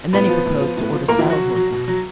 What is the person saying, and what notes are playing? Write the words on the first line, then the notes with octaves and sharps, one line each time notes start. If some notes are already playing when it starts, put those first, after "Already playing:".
And then he proposed to order saddle-horses.
A2 B3 B4
F3
A2
F3
A2
F3
A2 A#3 A#4
E3 E4
F3
F#3 F#4
B2
F#3
B2
F#3